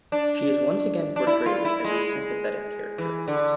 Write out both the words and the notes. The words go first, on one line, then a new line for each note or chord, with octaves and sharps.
She is once again portrayed as a sympathetic character.
D4
D4
E4
F4
E4
G#3
E3
D3